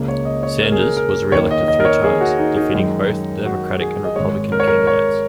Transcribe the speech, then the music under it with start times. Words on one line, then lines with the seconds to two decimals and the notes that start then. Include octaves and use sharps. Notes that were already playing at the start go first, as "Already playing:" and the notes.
Sanders was reelected three times, defeating both Democratic and Republican candidates.
Already playing: C#2 C#3 A#3
0.08 C#5
0.25 D#5
0.43 C#5
0.61 A#4
0.72 G#4
0.79 A#4
0.97 A#4
1.32 D#2 D#3 A#3 C#5
1.51 D#5
1.68 D#5
1.80 A#4
1.85 C#5
2.04 G#4
2.21 F#4
2.39 D#4
2.56 D#4
2.74 F#2 D#3 G#3
3.45 F#4
3.81 G#4
4.04 D#5
4.16 G#1 G#2 G#3 C#5
4.52 A#4
4.60 C#5
4.68 A#4
4.87 C#5